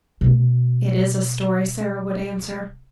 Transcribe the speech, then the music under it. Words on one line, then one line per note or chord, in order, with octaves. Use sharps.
"It is a story," Sara would answer.
B2 A3